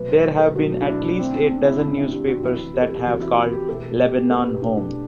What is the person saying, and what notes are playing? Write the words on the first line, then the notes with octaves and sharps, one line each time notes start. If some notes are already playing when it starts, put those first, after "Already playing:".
There have been at least a dozen newspapers that have called Lebanon home.
Already playing: B2 F#3 A3 B4
C5
A4
B2 F#3 A3 F#4
D4
D4
E4
D4
D3 A3 C4
D4
D4
E4
D3 A3 D4
E4
G4
F#4
C3 E3 B3 E4
G4
A4
G4
C3 E3 B3 F#4
E4
F#4
G4
B2 A3 A4
G4
B4
B2 A3 A4
G4
D4
D4